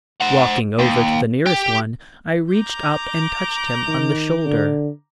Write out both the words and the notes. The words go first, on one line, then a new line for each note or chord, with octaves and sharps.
Walking over to the nearest one, I reached up and touched him on the shoulder.
C5 F#5
D#2
G4
A#5 D6 G6
D#3
D3